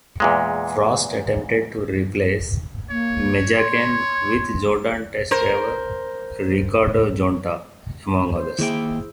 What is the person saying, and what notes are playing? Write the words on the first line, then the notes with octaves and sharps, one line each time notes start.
Prost attempted to replace Mazzacane with Jordan test driver Ricardo Zonta, among others.
E2 A#2 G#3
A#3 C#5
C6
A#4 C5
C5
D#3 A#3 E4 G#4 G5